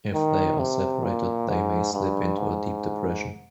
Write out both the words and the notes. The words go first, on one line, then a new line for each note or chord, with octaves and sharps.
If they are separated, they may slip into a deep depression.
D#3
C3
A#2
G#2
G2
G#2